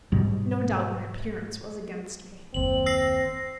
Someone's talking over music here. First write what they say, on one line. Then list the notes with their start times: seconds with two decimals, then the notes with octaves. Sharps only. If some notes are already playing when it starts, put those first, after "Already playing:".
No doubt my appearance was against me.
0.12 G#2 B2 G3
2.54 F#1 D#2 C4 F#7
2.86 E6 A#6 C7